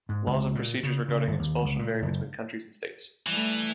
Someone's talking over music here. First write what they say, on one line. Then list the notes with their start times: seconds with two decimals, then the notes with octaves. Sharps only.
Laws and procedures regarding expulsion vary between countries and states.
0.09 G#2
0.26 C#2
0.55 A#2
0.83 C#3
1.08 C#3
1.27 G1
1.39 D#2
1.65 C#2
1.79 A#2
2.02 F#1
3.27 E3 G3 A3